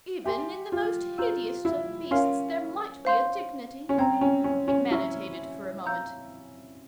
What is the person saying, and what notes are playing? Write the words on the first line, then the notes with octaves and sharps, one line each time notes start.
"Even in the most hideous of beasts there might be a dignity." He meditated for a moment.
G4 E5 G#5 C6
F4
F4 F5 A#5 E6 G6
E4
C#4 A#4 F5 C6 F6
C5 F5 C6 G6
C#4
C4 C#5 G5 A#5
C#4
C#4
C#4
E4 E5 A#5 C#6 F6
C#5 F5 A#5 E6 G6